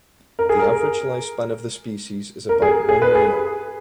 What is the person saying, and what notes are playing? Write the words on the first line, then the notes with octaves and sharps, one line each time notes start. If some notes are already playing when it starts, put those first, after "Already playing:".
The average lifespan of the species is about one year.
A#4
G#4
A#4
A#4
G#4
G#4
B4
G#4